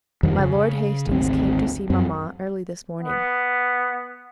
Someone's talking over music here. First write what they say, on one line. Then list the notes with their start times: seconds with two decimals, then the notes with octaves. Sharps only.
My Lord Hastings came to see maman early this morning.
0.23 F2 D#3 F3 G3
0.39 C#3
1.07 G#1 D2 C4
1.90 F#2 C4
3.02 B3